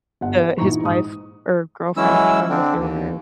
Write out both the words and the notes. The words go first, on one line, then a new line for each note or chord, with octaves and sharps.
Uh, his wife or girlfriend, I don't know if they were married.
G1 F#5
B4
A#1 E3 D#4 A#5 C#6
G#2 D#6
E3 F#3 G#3 C#4 E4 E6
D3 C4 D4
D#2